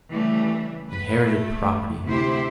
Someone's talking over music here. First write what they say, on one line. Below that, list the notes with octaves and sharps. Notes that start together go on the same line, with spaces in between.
Inherited property!
C#3 E3 G3 A3
B4
A3
D2 C3 E4 G4 C5